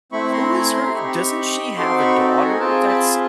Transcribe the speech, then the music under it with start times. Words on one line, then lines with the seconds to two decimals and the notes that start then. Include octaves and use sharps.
who is her doesn't she have a daughter that's
0.12 A3 C4 E4 B5 C#6
0.33 A#5 C6
0.53 G#5 A#5
0.74 A#5 C6
0.95 C4 D#4 G4 B5 C#6
1.77 C4 D#4 F#4 A4 C6 D6
1.98 B5 C#6
2.39 G#5 A#5
2.60 C4 F4 G#4 G5 A5
2.87 A5 B5